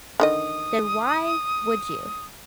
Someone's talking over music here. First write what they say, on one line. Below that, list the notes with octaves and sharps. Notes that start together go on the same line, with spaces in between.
then why would you?
D3 D#3 D#5 D#6